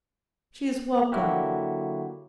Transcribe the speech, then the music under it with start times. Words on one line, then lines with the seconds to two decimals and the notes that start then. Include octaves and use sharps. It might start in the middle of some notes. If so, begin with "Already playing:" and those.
"She is welcome."
1.12 D3 F#3 A#3 E4 F#4 G4